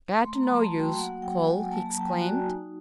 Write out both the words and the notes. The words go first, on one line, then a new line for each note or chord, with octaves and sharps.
"Glad to know youse, cull!" he exclaimed.
A3 C6
A#5
B5
F#3
A5
F#4
G5
A#3 F#5
F#3 G5
F#3 G#5
A#3 A5
A#5
A5
F#3 G5
G#5
F#4
D5
D#4